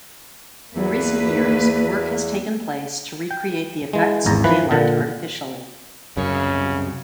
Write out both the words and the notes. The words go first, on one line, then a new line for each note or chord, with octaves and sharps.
In recent years, work has taken place to recreate the effects of daylight artificially.
E2 A#3 B4
G5
E3 G#3
G#1 E2 A#5
E3 F3 B4
A#2 D3
C2 F#2 C#3 C#5